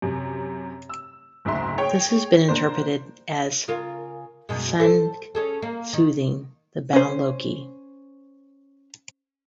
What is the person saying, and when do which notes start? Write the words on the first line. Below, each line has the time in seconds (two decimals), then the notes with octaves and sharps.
This has been interpreted as Sigyn soothing the bound Loki.
0.02 F#2 C3
0.89 E6
1.45 F#1 D2 G#2 E5 C6
1.77 G#4 C#5 G5
2.48 A#3 D4 C5
3.68 C#3 F4 A#4
4.49 F#2 B2 G#3
4.80 A4 C5
5.35 C#4 G#4 A4
5.62 A#3
5.93 D#3
6.93 C#4 C5